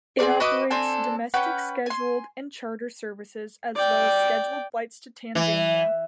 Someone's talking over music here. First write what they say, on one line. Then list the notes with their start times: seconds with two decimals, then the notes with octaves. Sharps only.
It operates domestic scheduled and charter services, as well as scheduled flights to Tanzania.
0.19 C4 E4 G#4 D5
0.40 F#4 B4 D#5 D6
0.70 C4 D4 A4 G#5
1.34 C#4 B4 F#5 G5
1.86 G#5 C6
3.75 D5 G5
5.35 E3